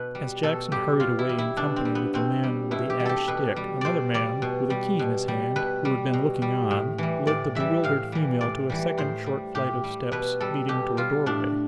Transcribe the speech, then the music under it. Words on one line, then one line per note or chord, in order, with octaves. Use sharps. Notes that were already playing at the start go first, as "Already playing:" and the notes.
As Jackson hurried away in company with the man with the ash stick another man, with a key in his hand, who had been looking on, led the bewildered female to a second short flight of steps leading to a doorway.
Already playing: B2 B4
G3
B2 A4
G3 G4
B2 F4
E4
G3
E4
B2 D4
C4
G3
B3
B2 C4
G3
B2 E4
G4
G3
G4 A4
B2 B4
G3
B2 C5 D5
G3 D5
B2
G3
B2
G3
B2 B4
G3
B2
G3
A2
E3 G3
A2 D5
E3 G3 E5
A2 F5
E3 G3
A2 D5
E3 G3
A2 C5
G3
A2 G4
G3
B2 B4
G3 A4
B2 G4
G3 F4
A2 D4